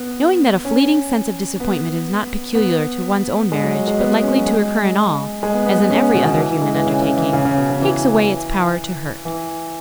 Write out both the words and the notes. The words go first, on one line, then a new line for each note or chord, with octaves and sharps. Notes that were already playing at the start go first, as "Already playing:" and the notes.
Knowing that a fleeting sense of disappointment is not peculiar to one's own marriage, but likely to occur in all, as in every other human undertaking, takes away its power to hurt.
Already playing: B3
C#4
B3
B3
G#3
F#3
F#3
G#3
B3
C#4
F#3
G#3
G#3
B3
B3
B3
C#4
B3
B2
C#3
E3
E3
G#3
E3
C#3
C#3
E3
C#3
C#3
B2
C#3
E3
E3